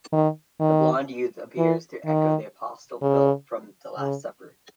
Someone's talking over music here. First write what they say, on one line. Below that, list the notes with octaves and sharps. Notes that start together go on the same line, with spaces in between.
The blonde youth appears to echo the apostle Philip from "The Last Supper".
D#3
D#3
E3
D#3
C#3
C#3